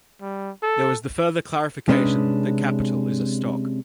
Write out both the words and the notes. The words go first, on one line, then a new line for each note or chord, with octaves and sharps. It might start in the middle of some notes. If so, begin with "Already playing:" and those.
There was the further clarification that capital is a stock.
G3
A4
C3 G#3 C#4 D4 B4